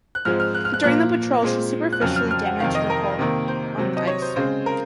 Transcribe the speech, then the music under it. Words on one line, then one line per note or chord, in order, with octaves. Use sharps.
During the patrol she superficially damaged her hull on the ice.
F#6
G#2 F3 G#3 C4 F6
F6
F#6
F6
F#6
A#2 F3 A#3 F#6
A#2 G#3 C4
F#6
F2 C#3 F#3 F6
F6
F6
F#5
F2 C3 D#3 F5
D#5
A#4
C3 D#3 A#3
C5
C3 F#3 C4
D#5
C#5
C5
C#3 G#3 C4 C5
A#4